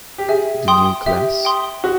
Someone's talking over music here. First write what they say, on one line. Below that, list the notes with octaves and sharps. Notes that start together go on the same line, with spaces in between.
The New Class?
G4
G#4 E5
G5 C6 D#6
G4 E5
G5 C6 D#6
F#4